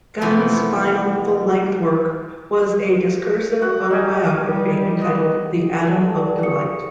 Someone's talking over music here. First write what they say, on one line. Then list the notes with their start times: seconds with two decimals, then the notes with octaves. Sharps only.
Gunn's final full-length work was a discursive autobiography entitled "The Atom of Delight".
0.21 C3 E3 F3 A3 B3
3.62 F#4 F#5
3.90 D#4 G4 G#5
4.37 G3
5.01 B3 D#5
5.87 D3 G3 A4 F#5 A5
6.43 C#6 D#6 C#7